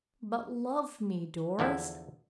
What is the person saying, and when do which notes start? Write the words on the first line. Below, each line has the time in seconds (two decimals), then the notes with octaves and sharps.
But love me, Doris.
1.59 E2 D3 F3 E4